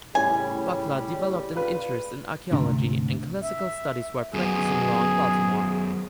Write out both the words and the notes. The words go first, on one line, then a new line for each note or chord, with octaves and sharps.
Buckler developed an interest in archaeology and classical studies while practising law in Baltimore.
A2 C#3 G3 C#4 G#5
F4 B4
D2 G#2 C3 D4
E5
F#2 B3 G#4